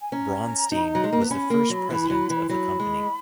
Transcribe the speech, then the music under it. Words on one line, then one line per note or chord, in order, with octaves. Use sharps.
Bronstein was the first president of the company.
G#5
C#4 A#5
D#4
F#3
G#3
A#3
B3
C#4 B5
A#3
F#3
E3
F#3
E3
F#3 B5
G#3